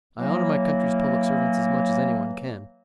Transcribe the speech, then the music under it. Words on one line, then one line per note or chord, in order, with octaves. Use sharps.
I honor my country's public servants as much as any one can.
E3 F#3 A#3